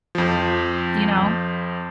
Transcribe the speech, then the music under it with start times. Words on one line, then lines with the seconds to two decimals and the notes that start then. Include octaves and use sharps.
you know?
0.15 F2 F3